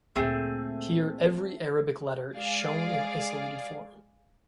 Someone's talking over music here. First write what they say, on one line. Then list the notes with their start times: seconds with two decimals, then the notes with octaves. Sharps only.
Here every Arabic letter is shown in isolated form.
0.16 D2 A#2 A3 C4 G#4
2.35 G#3 G#4 D5 F5